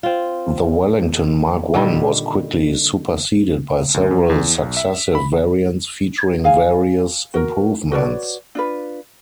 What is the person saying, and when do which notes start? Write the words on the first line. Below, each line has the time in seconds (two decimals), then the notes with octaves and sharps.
The Wellington Mark One was quickly superseded by several successive variants featuring various improvements.
0.03 C4 F4
1.74 A#2 D3 D#3 G3
3.94 D2
4.11 F2
4.30 E2
4.62 B1
4.77 E5
5.15 B5
6.44 G#4 F5 G#5
7.34 F#4 A#4
7.92 F#4 B4 C#5 D5
8.55 D4 F4 B4